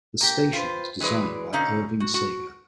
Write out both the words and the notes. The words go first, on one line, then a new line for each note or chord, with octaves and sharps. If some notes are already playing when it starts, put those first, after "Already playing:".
The station was designed by Irving Sager.
A#3 G4
F4 B4 C5
E3 F#3 G#3 B4 D5
B2 D3 C#4 D#4 F5
F#4
F#4